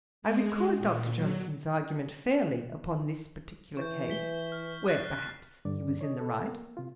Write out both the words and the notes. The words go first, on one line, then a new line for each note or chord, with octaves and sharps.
I record Dr. Johnson's argument fairly upon this particular case; where, perhaps, he was in the right.
G#3
A#2
F#3
E3 C#6 G6
B6 G7
F6
F#6 A6 C7
G2 D3 D5
C#5 D#5
A4
A#3
C3 F4